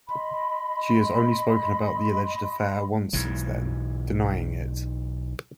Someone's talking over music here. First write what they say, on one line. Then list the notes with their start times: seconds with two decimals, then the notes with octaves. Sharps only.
She has only spoken about the alleged affair once since then, denying it.
0.08 D#5 B5 C6
3.13 B1 G#2 E3